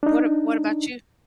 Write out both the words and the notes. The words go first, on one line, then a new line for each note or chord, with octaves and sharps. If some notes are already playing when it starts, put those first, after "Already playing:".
What a what about you?
D4 D#4